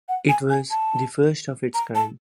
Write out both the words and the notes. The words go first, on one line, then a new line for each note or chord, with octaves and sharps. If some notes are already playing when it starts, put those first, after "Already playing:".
It was the first of its kind.
F#5
G#5
G#5
A5
A#5
A5